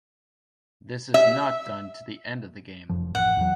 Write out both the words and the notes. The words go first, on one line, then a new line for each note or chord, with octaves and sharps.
This is not done to the end of the game.
E5
F1 F#2 F3
A1 F#5
E2 F#3